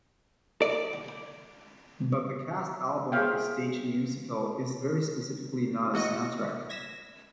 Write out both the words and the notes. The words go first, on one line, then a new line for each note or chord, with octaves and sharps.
But the cast album of a stage musical is very specifically not a soundtrack.
D5
G#4 C5 C#5 E5 F5 G5
E2 F#4 D#5 C#7
G#6 A#6 B6 E7